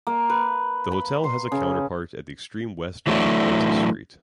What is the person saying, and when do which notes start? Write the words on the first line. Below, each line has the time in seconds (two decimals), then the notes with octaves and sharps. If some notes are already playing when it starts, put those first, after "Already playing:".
The hotel has a counterpart at the extreme west end of Princes Street.
0.07 A#3
0.30 B4
0.92 B5
1.24 C6
1.52 C#3
3.07 E3 F#3 A3 D4 E4